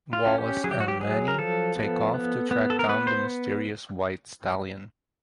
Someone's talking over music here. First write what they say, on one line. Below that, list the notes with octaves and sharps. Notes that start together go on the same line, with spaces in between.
Wallace and Manny take off to track down the mysterious white stallion.
F4
C#4
G4
F#3 G#4
G4
F#4
G4
F#3 G#4
A#4
F3 A4
B3
B3
B3
A4
A#4
B3 B4
C5